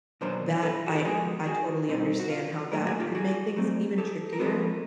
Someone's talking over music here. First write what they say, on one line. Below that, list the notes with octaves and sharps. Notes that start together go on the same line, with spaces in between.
that I I totally understand how that could make things even trickier,
B2 F#3 B3 D4 A#4 C5
A4 B4
F#4
G4
F3 G#3 B3 F#4 G#4
F#4 G#4
B2 G3 C4 D#4
F#4
F4
A#2 F#3 A3 G#4 A#4
F#4 G#4
F4 G4
F#4 G#4
F#3 A3 C4
G4 A4
A#4
F3 G#3 C4 A4 B4